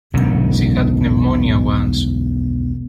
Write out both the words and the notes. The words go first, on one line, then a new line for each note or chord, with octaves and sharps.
She had pneumonia once.
E1 B1 F#2 D3